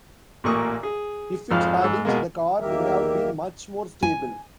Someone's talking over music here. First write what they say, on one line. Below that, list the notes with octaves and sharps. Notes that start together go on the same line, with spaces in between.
If it hadn't, the car would have been much more stable.
A1 A#2 A#3 C#6 D#6
G#4
G#1 F2 F3 F5 F6
G#2 E6
B2 G#3 A#3
E2 D#3 A#3 G4 A#4 E5
G#5